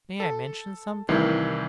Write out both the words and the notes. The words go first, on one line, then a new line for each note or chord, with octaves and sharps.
May I mention something?'
A4
C2 C3 D#3 E3 C7